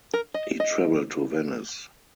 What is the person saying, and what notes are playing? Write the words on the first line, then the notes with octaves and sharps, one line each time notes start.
He traveled to Venice.
A#4
D#5
D#5